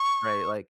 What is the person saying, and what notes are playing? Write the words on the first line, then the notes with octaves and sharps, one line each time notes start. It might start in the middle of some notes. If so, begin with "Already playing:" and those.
right, like,
Already playing: C#6